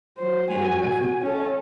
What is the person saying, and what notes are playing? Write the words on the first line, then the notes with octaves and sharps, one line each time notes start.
And in reference to that,
F#3 C5
F#4 G#5
C#4 A4